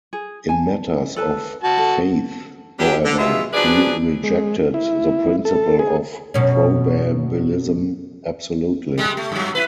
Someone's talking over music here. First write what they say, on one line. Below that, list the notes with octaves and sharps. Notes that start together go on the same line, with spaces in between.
In matters of faith, however, he rejected the principle of probabilism absolutely.
G#4
G#5 A5
A4 B4 A5
F#4 A5
A4
F#3 G3 D4 G4
D3
G2 B2 G#3 B3 F4 E5
F3 F#3 D4 G#4 B4 D5
G#3
E4
A4
G#4
F#2 B2 C#4
G3 G#3
A3
G2 F#3
E4 B4